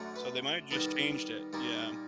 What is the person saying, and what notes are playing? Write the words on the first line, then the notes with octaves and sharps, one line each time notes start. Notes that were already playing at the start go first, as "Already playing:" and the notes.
so they might've just changed it. Yeah.
Already playing: F#2 D3 F#3 A3
B4
D#3 G3 B3 D#4 A4
A#2 G3 A#3 D#4